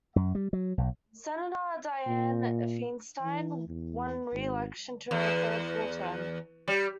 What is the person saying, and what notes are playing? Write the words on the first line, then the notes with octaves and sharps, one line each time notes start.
Senator Dianne Feinstein won re-election to her third full term.
F#2
G3
F#3
B1
A#2
E3
E2
G#1
E2
G3